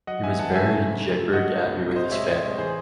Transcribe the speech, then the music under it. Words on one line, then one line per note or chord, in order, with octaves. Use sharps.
He was buried in Jedburgh Abbey with his family.
F#3 D#5 F#5
E2 E5 G#5
E2 F#5 A5
C#3 E5 G#5
A3
G#2
G#2
F#3
F#3 D#5 F#5
A3
C2
C3
A2 C5 D#5
G#3 C#5 E5
A2 C5 D#5
G#3
E3 G#4 C5